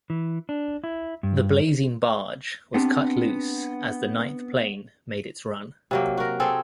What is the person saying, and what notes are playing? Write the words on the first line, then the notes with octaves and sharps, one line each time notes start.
The blazing barge was cut loose as the ninth plane made its run.
E3
D4
E4
G2
B3 C4 D4 G4
C3 F#3 A#3
F#4 A#4
C4 G#4 A4